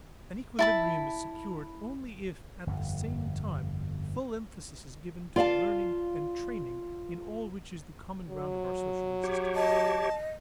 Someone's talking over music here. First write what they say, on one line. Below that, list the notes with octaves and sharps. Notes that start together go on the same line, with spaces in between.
An equilibrium is secured only if at the same time full emphasis is given to the learning and training in all which is the common ground of our social existence.
E4 A5 B5
G1 F2
F4 D5 F5 A5
F#3
G4 C#5
D#5 A5